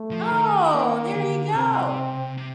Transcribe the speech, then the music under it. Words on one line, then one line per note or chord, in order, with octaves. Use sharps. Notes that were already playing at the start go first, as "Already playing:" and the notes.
Oh, there you go.
Already playing: A3
F3
D#3
A#3
D3
C3 C4
C3